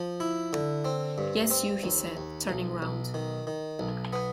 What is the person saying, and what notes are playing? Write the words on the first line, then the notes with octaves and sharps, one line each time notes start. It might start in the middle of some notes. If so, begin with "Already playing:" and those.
"Yes, you," he said, turning round.
Already playing: F3
E4
D3
C4
G2
C4
D#2
D#2
B1
B1
D#3
D#3
B1
B3